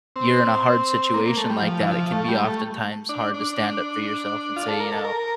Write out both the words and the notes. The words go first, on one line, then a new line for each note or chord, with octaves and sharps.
you're in a hard situation like that, it can be oftentimes hard to stand up for yourself and say, you know,
C4
A#3
A#3
A3
G3
F3
E3
F3
A3
G3
A3
D4
D4
F4
A4
A#4
A4
A#4